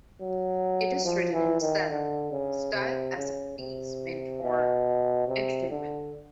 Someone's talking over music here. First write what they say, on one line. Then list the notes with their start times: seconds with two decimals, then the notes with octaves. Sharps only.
It is written in Salon style as a piece meant for entertainment.
0.21 F#3
1.04 F3
1.33 E3
1.61 D#3
1.90 D3
2.31 C#3
2.74 C3
3.17 C#3
3.59 C3
4.43 B2
5.28 C3
5.70 D3